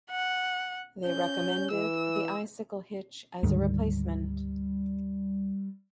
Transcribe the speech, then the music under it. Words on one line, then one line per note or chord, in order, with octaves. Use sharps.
They recommended the Icicle hitch as a replacement.
F#5
C#4 G6
E3 E6
D2 G#2 D#3 G3